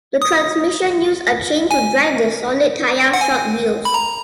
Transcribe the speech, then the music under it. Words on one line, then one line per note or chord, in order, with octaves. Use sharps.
The transmission used a chain to drive the solid tyre shod wheels.
D#6
G#5
F#5
G#5
B5
A#5